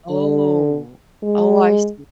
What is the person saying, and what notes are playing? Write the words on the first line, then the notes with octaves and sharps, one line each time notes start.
Oh. Oh, I see.
D3
G#3